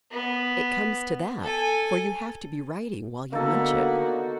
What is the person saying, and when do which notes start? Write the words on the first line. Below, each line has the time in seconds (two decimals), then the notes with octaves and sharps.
"It comes to that, for you have to be writing while you munch it."
0.11 B3
1.43 A4 G#5
3.33 D3 A#3 B3 D#4 F#4 A4